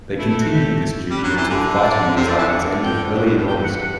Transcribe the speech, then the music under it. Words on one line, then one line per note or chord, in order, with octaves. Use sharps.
They continued this duty until fighting in these islands ended early in August.
A3 E4
E4
F#4
G4
G3
B4
F#3 C5
D5
E3
C5
D3 B4
B4
C5
D5
C3 C5
D3 D5
E3 E5
D3 F#5
G5
B2
B2
A2
G2 G5
F#5
F#5